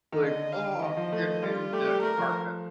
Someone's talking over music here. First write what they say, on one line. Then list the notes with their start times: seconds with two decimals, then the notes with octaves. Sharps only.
like, "Oh, get in that carpet."
0.12 D#3
0.22 D3 D#5
0.52 F5
0.82 D#3 D#5
0.97 F3
1.12 A3
1.42 G3 F4
1.73 A3 G4
1.87 G3
2.02 A3 A#4
2.18 F3